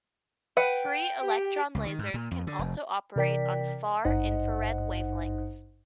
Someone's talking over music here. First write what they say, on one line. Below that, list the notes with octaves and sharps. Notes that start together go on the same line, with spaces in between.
Free electron lasers can also operate on far infrared wavelengths.
B4 F#5 G5
G4
C#2
D#3
G#2
A#2
F2
D3
F1
C3 E3 A#4 D5 G5 B6
G#1 G2 D#4 C5 D#5 F#5